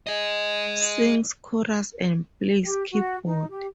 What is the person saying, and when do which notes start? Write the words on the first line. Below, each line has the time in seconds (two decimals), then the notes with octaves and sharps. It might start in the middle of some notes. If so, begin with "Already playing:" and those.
Sings chorus and plays keyboard.
0.07 G#4 D#5
2.62 G4
2.92 F#4
3.26 D#4
3.50 G4